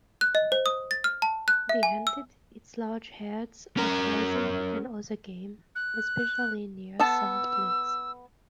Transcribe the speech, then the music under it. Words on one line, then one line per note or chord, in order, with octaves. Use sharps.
They hunted its large herds of bison and other game, especially near salt licks.
F#6
D#5
C5
D#6
A6
F6
A5
F#6
E5
G#5
E6
C#4 A#4
F#6
B3 A4 A5 E6